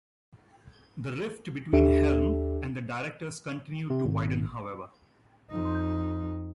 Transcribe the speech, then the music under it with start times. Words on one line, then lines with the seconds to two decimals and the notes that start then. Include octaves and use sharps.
The rift between Helm and the directors continued to widen, however.
1.73 D#2 D4 G4 A4 E5
3.90 C3
4.05 G#1
5.50 F2 D#4